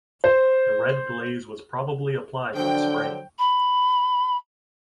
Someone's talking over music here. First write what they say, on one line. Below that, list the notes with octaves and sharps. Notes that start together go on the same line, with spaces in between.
The red glaze was probably applied by spraying.
C5
D3 F3 F#3 D4 G5
B5